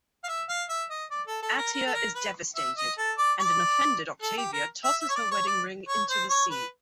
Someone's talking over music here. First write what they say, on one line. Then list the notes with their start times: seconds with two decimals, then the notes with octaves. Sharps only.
Atia is devastated, and an offended Octavia tosses her wedding ring into the sea.
0.24 F5
0.28 E5
0.49 F5
0.69 E5
0.90 D#5
1.11 D5
1.27 A4
1.42 A4
1.57 A#4
1.73 A#4
1.86 A4
1.94 A#4
2.15 B4
2.56 E5
2.77 D#5
2.98 A4
3.18 D5
3.39 D5
4.22 A4
4.37 G4
4.53 A#4
4.84 E5
5.00 E5
5.09 C#5
5.15 D5
5.31 C#5
5.47 D5
5.88 C#5
6.09 C5
6.30 C#5
6.50 B4